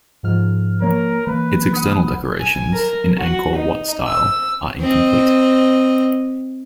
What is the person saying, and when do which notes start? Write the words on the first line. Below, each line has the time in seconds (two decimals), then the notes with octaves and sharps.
Its external decorations, in Angkor Wat style, are incomplete.
0.23 G#2 F3 F6
0.82 F3 A#3 A#4 C#5
1.27 E3 A#3 B4
1.74 F#5 B5 D#6
2.40 G#5
2.73 A#4
3.18 F#4
3.55 D#4
4.07 E6
4.80 C4 D#5